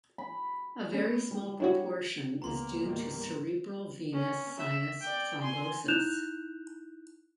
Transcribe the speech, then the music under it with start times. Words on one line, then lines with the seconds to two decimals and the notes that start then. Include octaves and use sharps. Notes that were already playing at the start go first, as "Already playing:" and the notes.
A very small proportion is due to cerebral venous sinus thrombosis.
0.18 B5
0.94 A3 C#4
1.31 G3
1.60 D4 E4 F#4 C#5
2.42 C#2 A#3 B3 A#5 C6
2.83 G#2 D#3 G3
4.14 C#4
4.59 E5
5.02 D5 G5
5.41 G#5 C6
5.88 D#4 E4 F#6 G6 E7 F7